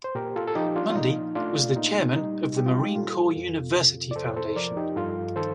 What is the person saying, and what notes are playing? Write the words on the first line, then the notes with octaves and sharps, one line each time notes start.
Mundy was the chairman of the Marine Corps University Foundation.
C5
A#2 G4 A#4
F4 A4
A4
F3 D#4 G4
D4 F4
F4
A#2 D#4
A3 D4 F4
A#2 D#4
G3 D#4
G3 G4
F4
D#4 G4
A#2 F4 A4
F2
C3
D5
F2 A4 C5
A4 C5
F3 A#4 D5
D#4 G4
G2 F4 A4
D#3 A4 C5